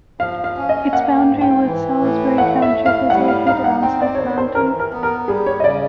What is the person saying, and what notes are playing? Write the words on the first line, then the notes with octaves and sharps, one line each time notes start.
Its boundary with Salisbury Township is located on South Mountain.
F3 F5
F5
C#4
D#5
A#3 F#5
G5
G#2
G5
E3
A2
A3 F#5
E5
A2
F5
G3 F#5
F5
D#4 F5
F#5
C4 G5
D5
C#5
D#3 C5
C5
E3 A#4
A#4
B3
A#4
G3 G#4
C#5
D#5
C#3 D5